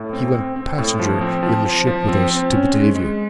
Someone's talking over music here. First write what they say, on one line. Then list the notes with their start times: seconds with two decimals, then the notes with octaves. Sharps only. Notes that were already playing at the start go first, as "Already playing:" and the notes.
He went passenger in the ship with us to Batavia.
Already playing: A2
0.13 C4
0.34 C4
0.56 C4
0.79 A2
0.99 F3
1.21 C4
1.43 F3
1.65 F3
1.87 F3
2.08 C4
2.30 C4
2.52 C#4
2.74 G#3
2.95 G#3